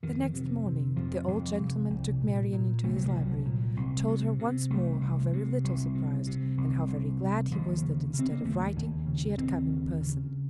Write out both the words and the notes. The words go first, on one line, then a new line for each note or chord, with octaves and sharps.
The next morning, the old gentleman took Marian into his library, told her once more how very little surprised, and how very glad he was that instead of writing, she had come in person.
F2 D#3
C3
C3
F2 F3
F2
C3
C2
A#2
A#2
C2 A3
F#3
F3
C2
F#3
A#2
C2
C3
C3
C2 A3
C2
C3
C2
C3
C3
C2
C2
C3
D#2 F3
C#3
C#3
C4
A#3
D#2 A3
D#2
C#3
D#2 C4
C#3
C#3